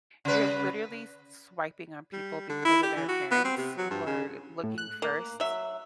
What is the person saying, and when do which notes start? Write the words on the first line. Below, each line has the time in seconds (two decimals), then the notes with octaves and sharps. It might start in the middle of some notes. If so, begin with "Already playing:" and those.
you're literally s swiping on people because of their appearance, you are looking first.
0.25 C#3 B4
2.12 G3
2.49 D3
2.65 E4
2.83 G4
2.96 E3
3.08 F#4
3.31 B3
3.45 C4
3.57 C3
3.77 F#3
3.90 G2
4.06 C#3
4.64 A2
4.78 F#6
5.02 A#3
5.40 F#3 E5